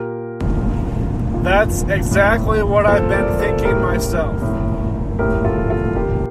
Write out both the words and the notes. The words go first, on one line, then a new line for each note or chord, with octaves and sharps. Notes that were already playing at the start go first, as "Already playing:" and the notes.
That's exactly what I've been thinking myself.
Already playing: A#2 G4 A#4
A#2
A#2
A2
A#2 A4 C5
A#4 D5
A4 C5
A2 G4 A#4
A2
A2 G4 A#4
F4 A4
F4 A4
A#2 G4 A#4